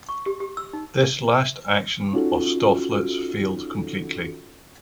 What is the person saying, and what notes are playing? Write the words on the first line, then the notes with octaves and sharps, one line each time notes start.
This last action of Stofflet's failed completely.
C#6
G4
G4
E6
D#4
C#4 D#4 F4 F#4 A4